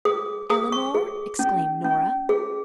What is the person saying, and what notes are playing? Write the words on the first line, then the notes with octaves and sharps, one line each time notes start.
"Eleanor?" exclaimed Nora.
G#4 D#6
G#4 D#6
C#6
G#4
C#4
C#4
G#4